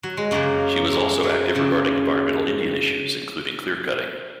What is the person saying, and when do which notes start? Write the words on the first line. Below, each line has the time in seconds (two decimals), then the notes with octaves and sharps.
She was also active regarding environmental Indian issues, including clearcutting.
0.03 F#3
0.17 G#3
0.31 F#2 C#3 F#3 A#3
0.87 A#3
0.93 G#3
1.23 F#3
1.55 F#2 C#3